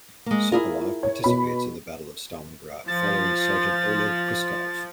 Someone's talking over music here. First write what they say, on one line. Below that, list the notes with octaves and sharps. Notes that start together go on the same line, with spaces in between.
Sokolov participates in The Battle of Stalingrad following Sergeant Oleg Puskov.
G#3 A#3
E4 F4 G#4 A#4
C#5
B2 B5
F3 A6